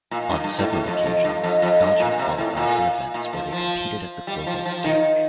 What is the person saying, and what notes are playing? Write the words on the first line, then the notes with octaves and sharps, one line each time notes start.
On several occasions, Belgium qualified for events where they competed at the global stage.
A#2
G2
G2
A2
A2
F2
F2
G2
F2
F2
G2
A#2
C3
A2
A#2
A#2
F3
F3
G3
F3
F3
D#3